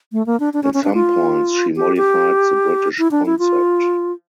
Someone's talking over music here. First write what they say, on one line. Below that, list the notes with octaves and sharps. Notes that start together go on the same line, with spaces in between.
In some points she modified the British concept.
A3
A#3
D4
D4
C#4
C#4
D4
F4
G4
G4
E4
D4
E4
F4